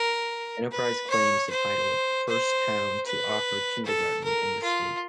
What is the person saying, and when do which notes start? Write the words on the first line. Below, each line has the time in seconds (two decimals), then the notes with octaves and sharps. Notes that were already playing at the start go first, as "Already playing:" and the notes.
Enterprise claims the title of the first town to offer kindergarten in the state.
Already playing: A#4
0.71 B4
1.10 C#5
1.50 C5
2.28 C5
3.06 B4
3.85 A4
4.24 A#4
4.63 F4